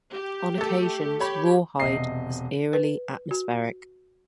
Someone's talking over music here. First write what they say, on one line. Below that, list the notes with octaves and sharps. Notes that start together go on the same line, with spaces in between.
On occasions, "Rawhide" was eerily atmospheric.
G4
A3 A4
G4 C#5 B5
E1 C3 D#5 C7
B4
F#4